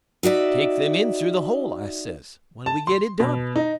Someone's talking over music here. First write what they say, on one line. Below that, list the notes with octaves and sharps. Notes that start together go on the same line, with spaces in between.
"Take them in through the hole," I says, "when we get it done."
D#4 F#4 D5 E5
A5
C6
B2
D#4